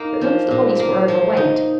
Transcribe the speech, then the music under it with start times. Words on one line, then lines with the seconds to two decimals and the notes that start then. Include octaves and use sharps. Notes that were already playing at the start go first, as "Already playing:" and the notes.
But none of the bodies were overweight.
Already playing: A#3 D#4
0.21 F3
0.51 A#2
0.79 A#3
1.08 F3
1.37 D#4